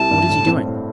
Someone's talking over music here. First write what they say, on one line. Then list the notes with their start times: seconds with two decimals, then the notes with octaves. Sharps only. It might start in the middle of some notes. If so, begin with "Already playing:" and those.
"What is he doing?"
Already playing: C2 G3 E4 A5
0.11 G2
0.29 A2
0.47 C4
0.65 A2